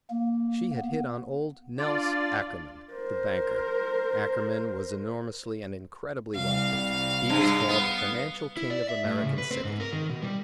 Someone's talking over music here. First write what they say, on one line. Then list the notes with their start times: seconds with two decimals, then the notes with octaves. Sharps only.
She had hit on old "Nelse" Ackerman, the banker. Ackerman was enormously and incredibly wealthy; he was called the financial king of American City.
0.10 A#3
0.77 B3
1.78 D4 F4 D5
2.92 A#4 C5
6.35 C2 F5
7.30 G2
7.69 B3
8.57 E4
8.70 D5
8.89 E5
9.04 A2
9.24 C#3
9.38 B4
9.51 C4
9.64 G#2
9.80 A#4
9.93 D#3
10.10 B2
10.22 G3